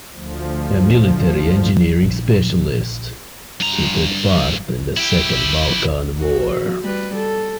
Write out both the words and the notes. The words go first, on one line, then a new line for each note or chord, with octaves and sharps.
A military engineering specialist, he took part in the Second Balkan War.
D2 F3
A#1
G2 A#5
E4 G4
F#4
G3 B4
A4